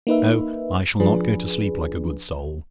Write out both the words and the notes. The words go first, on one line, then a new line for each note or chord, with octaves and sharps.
No; I shall not go to sleep like a good soul.
A#3 D#4 B4 E5
F3 D4 G#4 B4